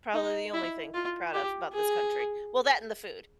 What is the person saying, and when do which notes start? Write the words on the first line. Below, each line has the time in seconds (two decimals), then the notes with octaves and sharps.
probably the only thing to be proud of about this country. Well, that and the food.
0.14 D#4
0.53 E4
0.94 F4
1.34 G4
1.73 G#4